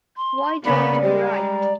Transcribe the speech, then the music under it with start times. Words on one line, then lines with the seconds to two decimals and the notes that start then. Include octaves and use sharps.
Why don't you write?
0.17 C6
0.65 C#3 A#3 B3 D5 B5
1.03 G3 G#3 G4
1.34 A#5